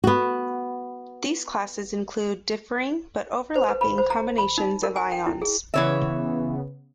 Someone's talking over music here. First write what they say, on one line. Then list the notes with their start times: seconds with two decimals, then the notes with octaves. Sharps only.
These classes include differing, but overlapping, combinations of ions.
0.04 B3 F#4
3.56 C5
3.68 B4
3.81 B5
3.98 C5
4.10 A#5
4.38 B5
4.58 D#4
4.83 A#4
4.96 G#5
5.12 G5
5.26 E4
5.42 G#4
5.74 C#3 E3 B3 C#5 E5